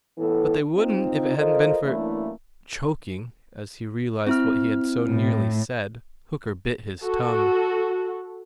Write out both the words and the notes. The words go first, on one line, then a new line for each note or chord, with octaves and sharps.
"But they wouldn't if it hadn't been for----" Choking, as he realized what he had so nearly said, Hooker bit his tongue.
A2 E3 B3 A4
C4 D#4 F4
F4 A4 A#4 C5 D#5
F#2 E3 A3 A#3 D4 E4
C4 E4 F6
A2
F#4 A4